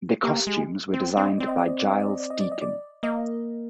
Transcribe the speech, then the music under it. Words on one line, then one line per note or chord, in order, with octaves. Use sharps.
The costumes were designed by Giles Deacon.
A#3 G4
G#3
C4
C4 D5
D#5
C4 D5
D#5
D5
D#5
D5
D#5
D5
D#5
D5
D#5
D5
D#5
D5
A#3 D#5